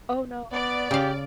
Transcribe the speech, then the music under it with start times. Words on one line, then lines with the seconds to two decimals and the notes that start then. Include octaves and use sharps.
Oh, no.
0.52 B3 D5
0.91 C#3 G4 F5